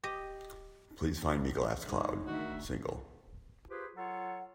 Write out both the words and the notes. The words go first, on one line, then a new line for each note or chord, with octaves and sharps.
Please find me Glass Cloud – Single.
G4 D#5
D3 G#3 D#4
D2 D#3 F#4 E5
F4 G4 G#4 B4 C5
F#3 F4 A4 C#5 F#5